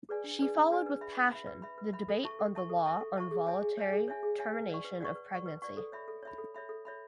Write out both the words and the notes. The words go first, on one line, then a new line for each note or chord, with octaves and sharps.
She followed with passion the debate on the law on voluntary termination of pregnancy.
G#4 B4 D5 G#5
D4
G#4 B4 D5 G#5
D4
G#4 B4 D5 G#5
B4
E5 B5
B4
E5 B5
B4
E5 B5
B4
E5 B5
A4
E5 A5 C#6
A4
E5 A5 C#6
A4
E5 A5 C#6
A4
E5 A5 C#6
G#4
C#5 E5 G#5
G#4
C#5 E5 G#5
G#4
C#5 E5 G#5
G#4
C#5 E5 G#5
B4
D5 F#5 C#6
B4
D5 F#5 C#6
B4
D5 F#5 C#6
B4
D5 F#5 C#6
A4
C#5 E5 B5
A4
C#5 E5 B5
A4
C#5 E5 B5
A4
C#5 E5 B5